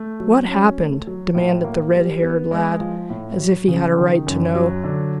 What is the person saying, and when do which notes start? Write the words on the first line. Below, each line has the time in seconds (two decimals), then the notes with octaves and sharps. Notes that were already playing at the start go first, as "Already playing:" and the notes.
"What happened?" demanded the red-haired lad, as if he had a right to know.
Already playing: A3
0.20 F#3
0.48 C#4
0.78 A3
1.07 F#3
1.35 A2
1.64 A#3
1.93 G3
2.22 B3
2.51 G#3
2.80 F3
3.09 A2
3.39 F#3
3.68 C#3
3.97 D#3
4.27 F#2
4.55 F#3
4.84 D3